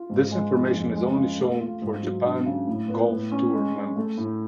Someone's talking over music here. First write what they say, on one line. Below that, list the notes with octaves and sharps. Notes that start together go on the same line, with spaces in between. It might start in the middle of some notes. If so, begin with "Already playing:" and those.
This information is only shown for Japan Golf Tour members.
Already playing: F4
G#2
G#3
F3
F2
G#3
C#3
A3
F4
G#2
F#3
D4
C#3
A2
B3
A2
C#4
G#3
C#4
A3
A2